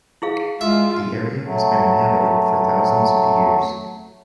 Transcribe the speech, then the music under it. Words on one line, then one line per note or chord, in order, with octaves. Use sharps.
The area has been inhabited for thousands of years.
E4 G#4 F5
G#3 F4 E5
F#3 A3